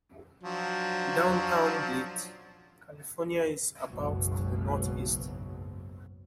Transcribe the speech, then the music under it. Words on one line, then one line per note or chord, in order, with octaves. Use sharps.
Downtown Blythe, California is about to the northeast.
F3 F#3 D4
F#1 B1 G#2 B2 F#3